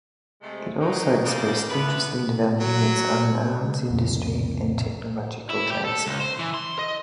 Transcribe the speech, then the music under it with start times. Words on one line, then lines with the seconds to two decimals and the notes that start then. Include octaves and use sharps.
It also expressed interest in developing its own arms industry and technological transfer.
0.42 C3 G#3 A3
0.80 F#3 D4 D#4
1.25 C#3 A3 F4 A#4 C5 D5
1.69 D3 B3 E4 B4
2.60 F#3
3.90 C2 F2 A2 C#3
5.50 E4
5.71 G4
5.85 A4
6.07 C#2
6.20 C5
6.39 E3
6.54 C6
6.79 D#5